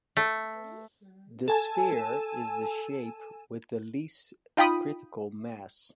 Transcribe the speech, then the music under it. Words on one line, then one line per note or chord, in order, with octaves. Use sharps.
The sphere is the shape with the least critical mass.
A3
A4 G#5 A5
D#4 F4 G5 B5 D#6